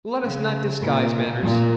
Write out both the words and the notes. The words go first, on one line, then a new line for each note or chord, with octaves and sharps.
Let us not disguise matters.
C#3
A#2
A#2